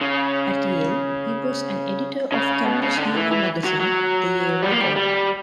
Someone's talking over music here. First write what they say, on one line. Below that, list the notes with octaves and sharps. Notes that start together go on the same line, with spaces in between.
At Yale, he was an editor of campus humor magazine "The Yale Record".
C#3
C#3
B2
C#3
D3
E3
E3
F#3
F#3
G3
A#3
G3
G3